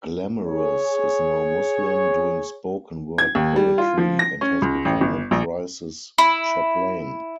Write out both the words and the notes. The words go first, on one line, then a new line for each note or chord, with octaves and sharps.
Glamorous is now Muslim, doing spoken word poetry, and has become a Crisis Chaplain.
G#4 C#5
G#6
D#2
G3
F4
F3
A#6
C#4
C#2
A1
G1
A#1
E4